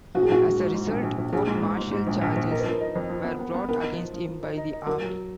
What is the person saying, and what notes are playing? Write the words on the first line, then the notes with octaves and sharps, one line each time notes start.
As a result, court-martial charges were brought against him by the Army.
A#1 F#4
G#4
A#1 F#4
G#2
G#2
G#2
A#1
A#1
A#1
A#1 G#4
G#2
G#2
G#2
G#2
A#1
A#1
A#1
D#4 A#4
B4
F3 A#4
D#4
F2
F3
B3
B3
B3
B3 A#4
D#4
F3
F3
F3
D#4
D#4
D#4
F#3 A#4
F#3